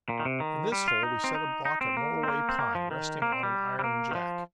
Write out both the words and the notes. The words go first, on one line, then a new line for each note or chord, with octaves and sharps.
In this hole we set a block of Norway pine resting on an iron jack.
A#2
D#3
C3
D#3
G3
F4
D#4
C4
D#4
D#4
C4
A#3
C4
A#3
C4
A#3
F3
D#3
A#3
C4
G3
G3
A#3
D#3
F3